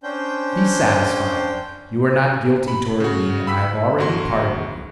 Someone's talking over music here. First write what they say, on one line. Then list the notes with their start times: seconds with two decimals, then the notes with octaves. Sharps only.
"Be satisfied; you are not guilty toward me, and I have already pardoned you."
0.03 C#4 D4 C5 G5 G6
2.68 B5
3.00 C#3 F#4
3.47 B5 E6 B6
3.98 G1 F#4 C6